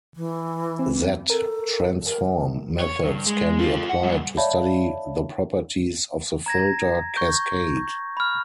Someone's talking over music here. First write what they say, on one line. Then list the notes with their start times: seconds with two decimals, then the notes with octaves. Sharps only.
Z-transform methods can be applied to study the properties of the filter cascade.
0.16 E3
0.79 C4
1.30 A4 A#4
2.07 A#4
2.80 C#5
3.05 G2
3.27 G#3
3.59 F4 A4
3.89 F#5
4.03 A#2 G3
4.37 C#5 D5 E5 F5 A5 B5
6.46 A#5 G#6 A#6
7.16 C#6 G6
8.17 B5 F6